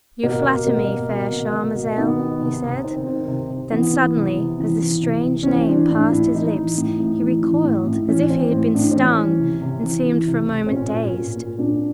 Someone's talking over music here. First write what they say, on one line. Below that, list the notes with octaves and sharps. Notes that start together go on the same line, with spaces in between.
"You flatter me, fair Charmazel!" he said; then suddenly as the strange name passed his lips he recoiled as if he had been stung, and seemed for a moment dazed.
B2 A#3
B2
B2 A#3
B2
B2
B2
B2
B2
D#3 B3
D#3
C3
C3
D#3 C4
D#3
C3
C3
E3 B3
E3
C3
C3
E3
E3
C3
C3
C#4
E3 C4
E3 D4
A2 D4
A2 E4
E3 D#4
E3
A2
A2
E3
E3
A2
A2
E3 C#4
E3 C4
A2
A2 D4
C4
E3 C#4
E3
C3
C3
E3
E3
C3
C3
C4
A#2 C#4
A#2
A#2
A#2
A#2 D4